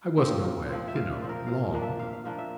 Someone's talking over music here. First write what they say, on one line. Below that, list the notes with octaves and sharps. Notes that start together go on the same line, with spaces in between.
"I wasn't away, you know, long."
F3 C4
A#2
F3 C4
E5
A#2 F5
D5
F3 C4
A#4
A#2 F5
F3 A#3 D4
E5
A#2 F5
F5
F3 A#3 D4
E5